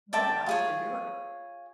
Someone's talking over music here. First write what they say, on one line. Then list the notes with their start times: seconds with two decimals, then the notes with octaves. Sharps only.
Oh, wow, so you're
0.13 D5 E5 G5 A5
0.46 F4 G#4 C#5